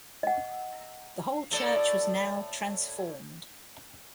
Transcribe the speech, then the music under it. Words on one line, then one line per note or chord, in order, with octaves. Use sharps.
The whole Church was now transformed.
D#5 F#5
A2 A4 D5